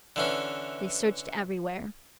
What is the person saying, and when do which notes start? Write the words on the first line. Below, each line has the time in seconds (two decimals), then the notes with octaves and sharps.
They searched everywhere.
0.16 D3 E3 C#4